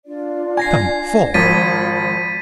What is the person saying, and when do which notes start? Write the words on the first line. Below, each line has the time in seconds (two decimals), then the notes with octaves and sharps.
Come, four?
0.05 D4 F4 D5
0.57 G#5 G#6 A#6 C7
1.34 G#1 F3 A#4 B5 A6 B6 D#7